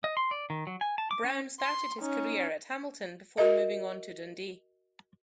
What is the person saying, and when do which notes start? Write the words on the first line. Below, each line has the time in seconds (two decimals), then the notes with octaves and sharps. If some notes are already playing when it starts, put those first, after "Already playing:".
Brown started his career at Hamilton before moving on to Dundee.
0.04 D#5
0.17 C6
0.31 D5
0.50 D#3
0.67 F#3
0.81 G#5
0.98 A5
1.11 D6
1.24 C#4
1.60 C6
2.01 C#4 D#4
3.37 F#4 A#4 D#5 E5